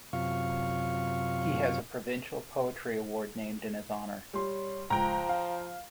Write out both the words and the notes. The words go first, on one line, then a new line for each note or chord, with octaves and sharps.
He has a provincial poetry award named in his honour.
F#2 C3 F4 F5 C#6
G3 C#5 C6
C#2 F3 G5 A#5
F5